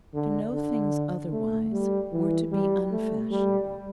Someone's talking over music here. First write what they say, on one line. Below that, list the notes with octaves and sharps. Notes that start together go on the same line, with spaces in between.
To know things otherwise were to be unfashionable.
D3
D3
A3
G3
E3
G3
A3
G3